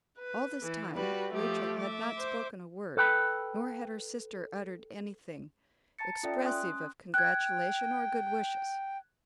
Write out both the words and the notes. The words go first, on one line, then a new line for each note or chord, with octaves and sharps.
All this time Rachel had not spoken a word, nor had her sister uttered anything expressive of congratulation or good wishes.
B4
E3
G3 F#4 B4
F3 A3 G4
E5 D6
C5
A4 B4 G5 B5
A5 A#5 A6 C#7
C#4 F4 A4 D5 E5 G5
C#4 G#5 C6 D#6 F#6
G5 F#6 G#6